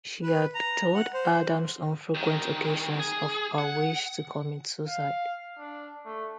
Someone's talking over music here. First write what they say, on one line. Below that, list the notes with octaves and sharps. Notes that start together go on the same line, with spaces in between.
She had told Adams on frequent occasions of her wish to commit suicide.
B4
A#5
F#5
C5
C2 D#3
G#4
F#5
F5
D4
A3